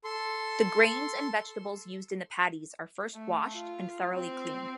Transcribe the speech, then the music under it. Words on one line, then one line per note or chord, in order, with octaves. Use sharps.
The grains and vegetables used in the patties are first washed and thoroughly cleaned.
A4 C6
A3
F4
C4